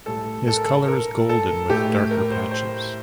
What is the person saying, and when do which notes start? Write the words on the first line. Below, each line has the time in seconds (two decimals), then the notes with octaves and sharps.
His color is Golden with darker patches.
0.06 A2 G3 A4
0.48 A4
0.56 A#4
0.65 A4
0.88 A#4
1.29 A4
1.69 A2 A3 G4
2.11 A#4
2.31 C5
2.51 C5